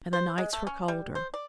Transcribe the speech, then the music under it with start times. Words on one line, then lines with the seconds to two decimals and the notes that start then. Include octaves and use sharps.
And the nights were colder.
0.13 C5
0.38 G#3
0.53 A3
0.67 C#4
0.88 G3
1.15 C5
1.34 D5